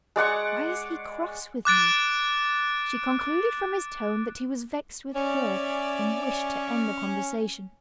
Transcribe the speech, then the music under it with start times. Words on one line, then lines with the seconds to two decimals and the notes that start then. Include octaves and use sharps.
"Why is he cross with me?" She concluded from his tone that he was vexed with her and wished to end the conversation.
0.16 G#3 D5 F#5 C#6
1.65 D6 F#6 A6 D7
5.15 C#4 D5 E5